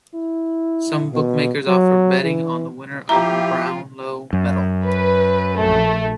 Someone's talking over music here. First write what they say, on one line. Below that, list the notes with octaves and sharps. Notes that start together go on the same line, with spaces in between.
Some bookmakers offer betting on the winner of the Brownlow Medal.
E4
B2
F#3
E3
F3 E4 F4 G4 A#5
F#2
B4
A#1 A3